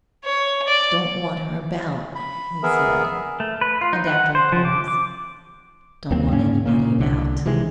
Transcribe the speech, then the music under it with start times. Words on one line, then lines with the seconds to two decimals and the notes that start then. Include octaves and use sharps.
"Don't want her about," he said, and after a pause, "Don't want anybody about."
0.24 C#5
0.68 D5
2.15 B5
2.63 B3 G#4 A#4 E5
3.40 A3
3.61 B4
3.81 F4
3.93 D#4
4.07 F#5
4.35 C5
4.52 F3
4.65 D6
4.88 D6
6.11 D#2 F#3 A#3 C4
6.32 G#2 A#3 C#4
6.66 A#2 C#3 A#3
6.99 C2 D3
7.46 C3 D#3 E3 G#3